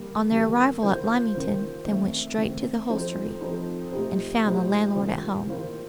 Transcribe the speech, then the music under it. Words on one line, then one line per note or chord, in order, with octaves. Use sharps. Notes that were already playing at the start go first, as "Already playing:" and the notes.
On their arrival at Lymington, they went straight to the hostelry, and found the landlord at home.
Already playing: D#3 G3 A#3
D#3 G3 A#3
D#3 A#3 F4 C5
D#3 A#3 F4 C5
D#3 A3 C4
D#3 A3 C4
F3 C4 D#4 A4 C5
F3 C4 D#4 A4 C5
A#2 A3 D#4 G4 C5
A#2 A3 D#4 G4 C5
D#3 A#3 F4 C5
D#3 A#3 F4 C5